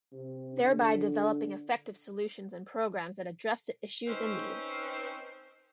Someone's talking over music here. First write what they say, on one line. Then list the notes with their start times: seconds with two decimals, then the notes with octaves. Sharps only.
Thereby developing effective solutions and programs that address the issues and needs.
0.13 C3
0.64 D3
4.06 C4 C#4 D#4 B4 C5